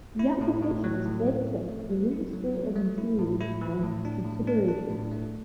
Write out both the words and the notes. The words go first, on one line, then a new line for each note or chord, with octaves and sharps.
The application is then sent to the Ministry of Interior for consideration.
E4
A2
A2
F#3
A2
A3
A3
A3
F#3
E4
F#3
F#3
A3
E4
A2
E4
E3
A2
D4
A2
D4
D4
A2
A3